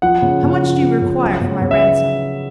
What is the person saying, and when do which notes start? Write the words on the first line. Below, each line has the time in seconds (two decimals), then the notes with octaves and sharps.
"How much do you require for my ransom?"
0.02 F3 F#5
0.22 C#3
0.43 C#3
0.62 F3
0.81 F3
1.02 C#3
1.22 F#3
1.41 C#3
1.62 C#3
1.71 E5